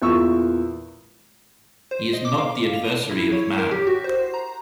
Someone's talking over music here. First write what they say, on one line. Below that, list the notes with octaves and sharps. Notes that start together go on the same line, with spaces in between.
He is not the adversary of man.
E2 A#2 C#6 E6
C5
D#5
D6
F5
F7
E4
C#5
A#4
G4
F#4
C5
A#5